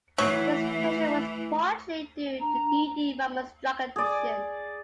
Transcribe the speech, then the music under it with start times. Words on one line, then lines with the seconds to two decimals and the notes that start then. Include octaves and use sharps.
This tension was partially due to Dee Dee Ramone's drug addiction.
0.18 E3 F#3 A3
2.40 D4 A#5
3.96 G#4 D5